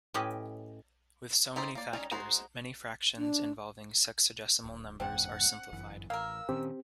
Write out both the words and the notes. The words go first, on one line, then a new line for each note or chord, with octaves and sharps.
With so many factors, many fractions involving sexagesimal numbers are simplified.
A2 C#4 G4 B4 D#5
D#4 G4 A4 C5
A#3 D5
G3 C#4 D#4
G#3 D#4 F#4 C5
D4
D1
F#1 E2 G#2 C4 D4 F#5
G1 F#2 E3
A1 A#3 A#4 F5 E6
A#2 D#3 C4 C#4 G4